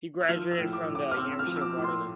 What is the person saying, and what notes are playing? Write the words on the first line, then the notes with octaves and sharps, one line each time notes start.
He graduated from the University of Waterloo.
E6
F3 F6
E6
A2
D6
A2
D6
F6
C4 E6
E6
F6
F3
E6
D6
A2
C6